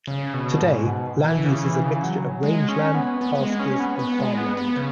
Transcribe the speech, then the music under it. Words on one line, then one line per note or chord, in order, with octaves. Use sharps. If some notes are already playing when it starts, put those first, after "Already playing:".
Today, land use is a mixture of rangeland, pastures, and farmland.
C#3
B2
G#2
B2
E3
C#3
E3
C#3
F#3
G#3
C#4
B3
B3
B3
G#3
C#4
B3
B3
G#3
B3
B3
C#3